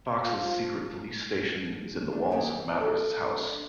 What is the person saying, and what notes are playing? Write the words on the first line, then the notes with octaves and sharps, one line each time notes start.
Fox's secret police station is in the walls of Mathers's house.
F3 A#5
D4
D#2
E3
A4
D4